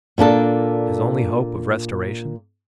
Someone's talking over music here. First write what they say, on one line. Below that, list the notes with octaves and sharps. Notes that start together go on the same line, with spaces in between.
His only hope of restoration!
A#2 A#3 D4 A4